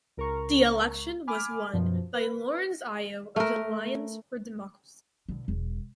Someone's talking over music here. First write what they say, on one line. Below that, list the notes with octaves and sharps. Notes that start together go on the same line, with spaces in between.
The election was won by Lawrence Ayo of the Alliance for Democracy.
C#2 A#4 A#5 C#6
G#5 B5 D6 F6
F#2 B2 F3
B4
A3 A#4
B2 D3
E1